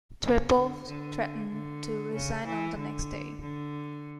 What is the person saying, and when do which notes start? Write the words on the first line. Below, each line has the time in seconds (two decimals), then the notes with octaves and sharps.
Trepov threatened to resign on the next day.
0.22 C#3
0.54 D3
0.86 D3
1.49 D3
2.14 C#3
2.46 E3
2.77 D3
3.41 D3